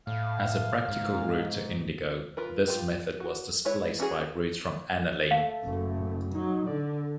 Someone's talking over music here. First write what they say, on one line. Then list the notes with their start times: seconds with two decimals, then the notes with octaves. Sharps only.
As a practical route to indigo, this method was displaced by routes from aniline.
0.07 A2 F5
0.89 G#2
2.37 F4 A#4 B4
2.68 F4 G4
3.20 F#4
3.65 G#3 E4 B4 C#5
3.99 B3 C#4 F#4 G#4
5.31 A3 F5
5.63 F#1
6.35 F#3 D#4
6.67 D3 D5